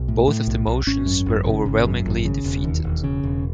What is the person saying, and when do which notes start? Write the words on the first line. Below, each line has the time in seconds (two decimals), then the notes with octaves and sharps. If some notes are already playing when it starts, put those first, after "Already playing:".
Both of the motions were overwhelmingly defeated.
Already playing: B1
0.08 A2
0.27 A2
0.47 B1
0.67 B1
0.87 G#1 C#4
1.06 F#2
1.26 G#1
1.46 C#3
1.66 G#1
1.85 F#2
2.05 G#1
2.25 C#3
2.44 E1
2.64 D#2
2.84 E1
3.03 C#3
3.23 E1